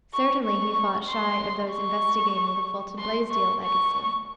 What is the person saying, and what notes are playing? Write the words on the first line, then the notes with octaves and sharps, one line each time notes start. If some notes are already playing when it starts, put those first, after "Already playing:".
Certainly he fought shy of those investigating the Fulton-Blaisdell legacy.
C#6
C#6
C6
C#6
C6
C#6
C#6